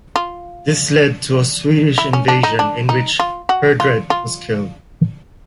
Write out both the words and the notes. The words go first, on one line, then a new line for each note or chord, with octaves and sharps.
This led to a Swedish invasion in which Heardred was killed.
F4
E4
C#4
D4
D#4
D4
D#4
F4
F#4
F4
F4